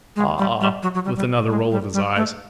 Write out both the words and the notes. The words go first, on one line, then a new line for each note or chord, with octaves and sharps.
'Ah!' with another roll of his eyes.
G#3
G3
G3
F#3
F#3
G3
G3
G#3
G3
G3
A3